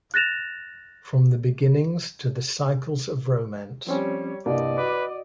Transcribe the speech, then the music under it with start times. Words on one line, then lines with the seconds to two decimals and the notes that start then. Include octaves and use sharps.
From the Beginnings to the Cycles of Romance.
0.14 F#6 A6 A#6 E7 F7
3.87 F3 G3 C4 C#4 C#5
4.46 C2 G2 C3 A#3 D5 D#5
4.78 F#4 B4 D6